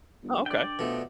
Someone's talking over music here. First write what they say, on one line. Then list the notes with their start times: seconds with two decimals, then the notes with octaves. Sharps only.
Oh, okay.
0.23 G1
0.46 D3 D5 G5
0.79 B2 F3 A3 B3